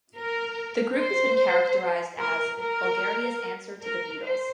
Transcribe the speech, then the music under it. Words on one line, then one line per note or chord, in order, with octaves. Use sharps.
The group has been characterized as "Bulgaria's answer to The Beatles".
A#4
C5
A#4
A#4
A#4
C5